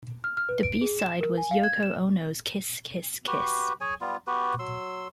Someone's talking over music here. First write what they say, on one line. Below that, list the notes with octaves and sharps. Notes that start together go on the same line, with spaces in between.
The B-side was Yoko Ono's "Kiss Kiss Kiss".
F6
F6
B4
D7
G#4
E7
A#4
G#5
F5
G#6
E7
F#4 G4 B4
G#4 C#5 G#5
G3 B3 F4
B3 F#4 G4 B4
F#3 C6 E6